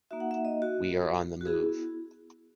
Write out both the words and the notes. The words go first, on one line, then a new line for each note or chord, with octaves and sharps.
We are on the move.
A#3 D#4 F#4 E5
F#5
E5
D#5
F#4
F#4
B3 E4 G#4